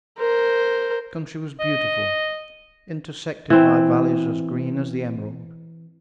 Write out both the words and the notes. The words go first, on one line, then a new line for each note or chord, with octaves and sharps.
The country was beautiful, intersected by valleys as green as the emerald.
A#4 C5
D#5
E3 C4